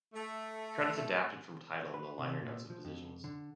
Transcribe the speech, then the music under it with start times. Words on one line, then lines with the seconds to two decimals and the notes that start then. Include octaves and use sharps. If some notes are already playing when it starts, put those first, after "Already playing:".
Credits adapted from Tidal and the liner notes of "Positions".
0.14 A3
1.94 B4
2.18 C3
2.42 A#2
2.70 F3
2.85 F2
3.24 D3